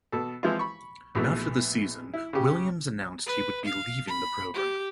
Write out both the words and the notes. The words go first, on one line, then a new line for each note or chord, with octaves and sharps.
After the season Williams announced he would be leaving the program.
B2 A4
E3 F3 G#3 C4 E4 F4
B5 C#6
A#1 B2 E3 A3
E4
C#3 G4
B4
F5
B5
G4